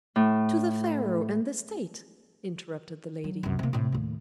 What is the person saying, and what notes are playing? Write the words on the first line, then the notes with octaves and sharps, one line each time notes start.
"To the pharaoh and the state!" interrupted the lady.
A2
F#3
C2 F#2
C3 A#3
A2 C3
D#2 A2